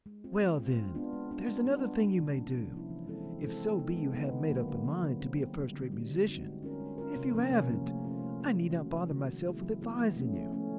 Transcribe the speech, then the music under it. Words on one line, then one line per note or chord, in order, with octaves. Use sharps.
"Well, then, there's another thing you may do, if so be you have made up a mind to be a first-rate musician; if you haven't, I need not bother myself with advising you."
G#3
C4 F4
G#3
C4 F4
G#3
B3 D4 F4
G#3
B3 D4 F4
G3
B3 D4 F4
G3
B3 D4 F4
C3
F3 A#3 C#4 E4
C3
F3 A#3 C#4 E4
E3
G#3 C4 E4 A4
E3
G#3 C4 E4 A4
G#3
B3 D#4
G#3
B3 D#4
D3
F#3 A#3
D3
F#3 A#3
D3
G3 C4
D3
G3 C4
D3
G3 C4 D#4 F#4
D3
G3 C4 D#4 F#4
G#3
C#4 F4 A#4
G#3
C#4 F4 A#4
C3
F3 A#3 C#4
C3
F3 A#3 C#4
A3
C#4 F4
A3
C#4 F4
C3
D#3 G#3 C#4 F#4
C3
D#3 G#3 C#4 F#4
F3
G#3 B3 E4 G#4
F3
G#3 B3 E4 G#4
F3
A3 C#4
F3
A3 C#4